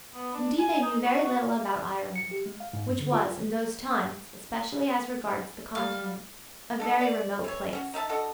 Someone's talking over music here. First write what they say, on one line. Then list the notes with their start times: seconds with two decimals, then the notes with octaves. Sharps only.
Indeed they knew very little about Ireland, which was, in those times, especially as regards the Continent, a very remote place.
0.14 B3
0.34 D4
0.59 G#5
0.82 D#4
1.05 F#4
1.25 F#4
2.16 C#7
2.31 G4
2.46 G#3
2.60 F5
2.73 G#2
2.87 G2
3.00 D3
3.12 F4
5.75 G3 F5
6.80 D4 A4 D#5
7.01 D5
7.44 E3 C#5
7.73 C#4 F#4
7.94 D#4 E5 F5 A5
8.09 D4 F#4 A4 D#5